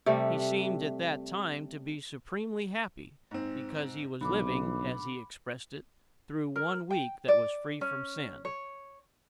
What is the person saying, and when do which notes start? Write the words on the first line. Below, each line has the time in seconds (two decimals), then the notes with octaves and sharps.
He seemed at that time to be supremely happy, because he was living, as he expressed it, through one week that was free from sin.
0.06 C3 G3 A3
3.31 G#2 C4
4.21 B1 D3 B5 D6
6.56 A#4
6.90 G5
7.28 D5
7.81 C#4
8.45 C#5